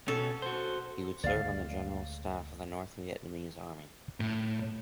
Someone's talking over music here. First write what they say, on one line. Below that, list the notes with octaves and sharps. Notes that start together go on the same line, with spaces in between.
He would serve on the general staff of the North Vietnamese army.
B2 C#4 A4
F#4 C5
D2 G#3 D5 F5
A2